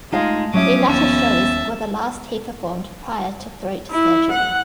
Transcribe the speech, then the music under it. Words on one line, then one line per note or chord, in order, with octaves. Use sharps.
The latter shows were the last he performed prior to throat surgery.
G#3 A3 D#4 F4 F5 A5
F3 F#3 C#4 E5 D6 D#6
D#2 B3 E5 F5 A5
E4
F#5